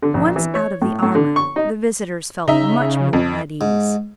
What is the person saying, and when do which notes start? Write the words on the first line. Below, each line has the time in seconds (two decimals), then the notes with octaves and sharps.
Once out of the armor the visitors felt much more at ease.
0.02 D3
0.14 A#1
0.36 E3
0.54 C#5
0.82 A2
1.03 A2
1.15 D3
1.36 C#6
1.56 D#4
2.48 C#3 D#4 E5
3.13 F2
3.61 G#2